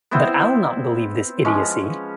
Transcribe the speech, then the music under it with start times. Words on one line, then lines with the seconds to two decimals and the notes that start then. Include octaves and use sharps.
But I’ll not believe this idiocy!
0.11 B3 C4 E4 C5
1.45 F3 G#3 C#4